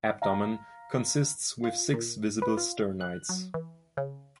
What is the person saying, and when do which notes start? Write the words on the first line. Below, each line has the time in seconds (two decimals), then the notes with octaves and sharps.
Abdomen consists with six visible sternites.
0.22 F5 A#5
1.64 F4
1.93 A#2
2.42 B4
2.57 F4
3.01 F#6
3.29 F#3
3.54 E3
3.97 C#3